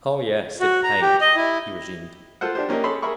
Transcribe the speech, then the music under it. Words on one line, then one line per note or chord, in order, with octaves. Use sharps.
"Oh yes, it paid," he resumed.
F#4
A#5
G4
D#5
E4
F4 A4 C5 F#5
D4 G4 C5
A#3 C#4 G4 A#4 D#5
G#4 A4 C#5 B5 C6
G#4 A#4 E5 B5 C#6